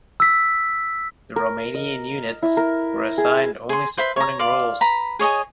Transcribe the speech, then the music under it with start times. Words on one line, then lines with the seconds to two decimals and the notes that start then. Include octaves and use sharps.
The Romanian units were assigned only supporting roles.
0.20 E6 B6
1.36 A#4
1.74 D#5
2.42 E4
2.57 A#4
3.18 G#4
3.69 G#4 C6
3.97 B4 C5 E5 B5
4.16 C#5 A#5
4.39 D5 F5 C6
4.81 B4 A#5 B5
5.19 G#4 C#5 D#5 G#5